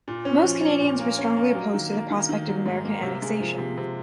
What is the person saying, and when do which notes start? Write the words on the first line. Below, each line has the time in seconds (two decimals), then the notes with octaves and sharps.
Most Canadians were strongly opposed to the prospect of American annexation.
0.08 A#2
0.25 C#4
0.44 F3
0.63 C#4
0.81 A#2
0.99 A#3
1.18 C#4
1.36 A#3
1.55 F#3
1.74 D#3
1.93 A#3
2.11 D#3
2.29 D#3
2.47 F#3
2.66 G#2
2.85 A#3
3.03 C3
3.22 G#3
3.40 F3
3.58 C3
3.77 C3